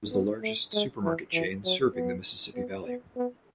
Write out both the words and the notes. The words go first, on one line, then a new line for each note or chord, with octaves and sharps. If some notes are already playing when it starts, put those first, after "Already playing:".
It was the largest supermarket chain serving the Mississippi Valley.
B3
A3
G#3
E3
E3
F#3
B3
B3
B3
B3